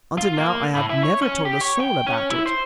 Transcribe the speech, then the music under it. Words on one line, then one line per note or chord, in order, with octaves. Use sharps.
Until now I have never told a soul about it.
F4
A#3
A2
E4
C#5
C#4
G4
C#5
G5
C#4
E4
C5